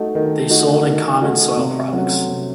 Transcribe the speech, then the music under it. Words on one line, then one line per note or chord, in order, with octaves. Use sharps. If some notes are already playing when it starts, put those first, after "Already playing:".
They sold in common soil products.
Already playing: A3 D#4 F#4
D#3
A3 D#4 F#4
D#3
A3 D#4 F#4
C3
F#3 A3 C#4 F#4
C3